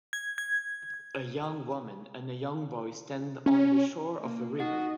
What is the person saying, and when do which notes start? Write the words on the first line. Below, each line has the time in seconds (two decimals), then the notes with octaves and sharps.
A young woman and a young boy stand on the shore of a river.
0.13 G#6
0.38 G#6
3.46 C#4
4.17 A#3
4.60 D#4 F#4 D#5